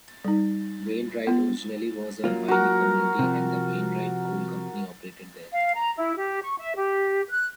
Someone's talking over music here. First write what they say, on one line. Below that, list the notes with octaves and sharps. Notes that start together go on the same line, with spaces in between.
Wainwright originally was a mining community and the Wainwright Coal Company operated there.
G3 D#4
B3 F4
F#3 A#3 F4
F#4 A#4
C3 F3
F5
A#5
E4
G4
C#6
E5
G4
F#6